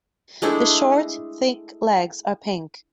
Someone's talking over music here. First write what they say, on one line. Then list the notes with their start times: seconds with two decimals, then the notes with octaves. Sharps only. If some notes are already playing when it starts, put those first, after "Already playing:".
The short, thick legs are pink.
0.42 G#3 A3 D4 E4